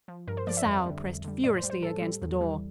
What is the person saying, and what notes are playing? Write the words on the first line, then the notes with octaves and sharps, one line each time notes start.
The sow pressed furiously against the door.
F3
G2 A#4
C5
F3 D5
E5
F2
D3 G3
F2
D3 G3
A2 D5
C5
G3
C5
A2 A4
G3
E2
E3 G3